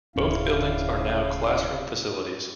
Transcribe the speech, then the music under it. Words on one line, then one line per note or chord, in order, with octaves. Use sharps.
Both buildings are now classroom facilities.
D1 G2 C#3 C#4 E4 F5